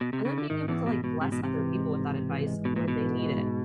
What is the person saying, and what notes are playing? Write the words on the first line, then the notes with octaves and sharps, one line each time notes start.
and then being able to, like, bless other people with that advice when they need it.
B2
C3
C#3
D3
G#2 D#3
A1 E2 E3
B2 E3
B2 G#3
G#2 C3
B2
A1 C3
E3
G#3
G#2
A1
E3
G#3
G#2 B2
A#2
A1 B2
E3
G#3
G#2